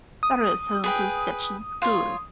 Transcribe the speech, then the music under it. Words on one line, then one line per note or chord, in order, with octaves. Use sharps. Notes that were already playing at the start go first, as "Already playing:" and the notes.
Barre is home to Stetson School.
D#6
G#4 B4 G5
F4 C#5